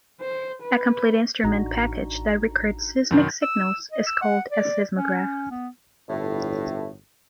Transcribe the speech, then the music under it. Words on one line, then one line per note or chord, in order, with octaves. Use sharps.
A complete instrument package that records seismic signals is called a seismograph.
C5
B4
A1 D4 D#4 F#4 A#5
F#2 C3 D#3
E6
D#5
E6
F#5
D5
C#4
B3
G1 A2